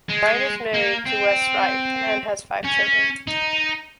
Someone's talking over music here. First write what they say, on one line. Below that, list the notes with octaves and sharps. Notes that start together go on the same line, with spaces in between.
Wright is married to Wes Wright and has five children.
G#3
A#3
C4
C#4
D#4